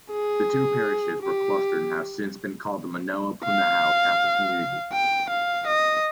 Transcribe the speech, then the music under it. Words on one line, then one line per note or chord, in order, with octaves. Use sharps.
The two parishes were clustered and have since been called the Manoa-Punahou Catholic Community.
G#4
G4
F5
G5
F5
D#5